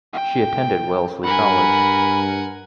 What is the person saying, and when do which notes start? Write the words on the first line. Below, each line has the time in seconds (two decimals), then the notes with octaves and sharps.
She attended Wellesley College.
0.13 G5
1.24 G2 A#4 F#5 G#5 B5